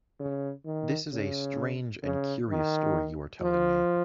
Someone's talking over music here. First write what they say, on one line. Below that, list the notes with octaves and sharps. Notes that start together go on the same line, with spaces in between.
This is a strange and curious story you are telling me.
C#3
D#3
C#3
C#3
D#3
F3